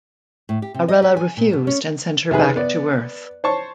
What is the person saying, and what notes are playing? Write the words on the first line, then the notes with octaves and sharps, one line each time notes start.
Arella refused and sent her back to Earth.
A2
G4
C3
D#5
G4
G#5
A#2
B2
C#4
C3 D#3 G#4 B4
B3 D5
C5 C#5 A5 C#6